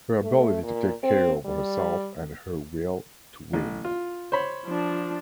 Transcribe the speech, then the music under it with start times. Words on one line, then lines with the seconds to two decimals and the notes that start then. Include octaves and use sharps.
Her ability to take care of herself and her will to win.
0.22 A3
0.63 A#2
1.03 C4
1.45 G3
3.53 A1
3.85 F4
4.32 C5 C#5 B5
4.65 F3 D4